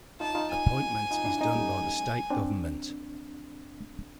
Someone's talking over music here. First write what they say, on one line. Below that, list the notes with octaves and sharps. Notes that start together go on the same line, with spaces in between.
Appointment is done by the State Government.
D#4 F4 A5
D#4 F4
G#5
D#4 F4
D4 E4
C#4 D#4 G#5
G3 A3
C4 D4